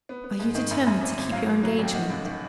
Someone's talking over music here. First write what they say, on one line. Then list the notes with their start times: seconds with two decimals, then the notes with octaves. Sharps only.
"Are you determined to keep your engagement?"
0.09 B3
0.24 B3
0.40 G#2
0.55 D#3
0.71 F#2
0.87 F#2
1.01 G#1
1.18 G#1
1.32 F#3 F5
1.48 A#3
1.63 F#3
1.79 A1 G5
1.94 D#3 F#5
2.10 C#2
2.25 D#3